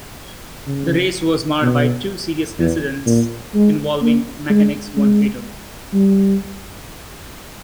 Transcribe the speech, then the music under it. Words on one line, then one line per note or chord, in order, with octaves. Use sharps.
The race was marred by two serious incidents involving mechanics, one fatal.
C#3
B2
E2
A#2
G#3
A#3
G#3
G#3
G3